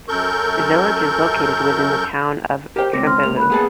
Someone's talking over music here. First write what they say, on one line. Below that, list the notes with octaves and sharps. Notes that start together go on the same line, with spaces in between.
The village is located within the Town of Trempealeau.
F#2 A4 A#4 C#6 G6
G4 A#4 C5 G5
C#2 C4 D6 A#6
C6 F6
A#3 F7
B5 F#6
B3 G#4 A5